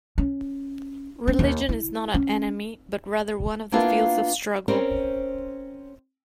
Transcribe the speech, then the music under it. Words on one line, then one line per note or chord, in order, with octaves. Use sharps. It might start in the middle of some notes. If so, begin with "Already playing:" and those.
Religion is not an enemy but rather one of the fields of struggle.
C#4
C#4
D#2
E4
C#4
A#3 B3 D4 E4 F4 B4
C4 C#4 A#4 C5 C#5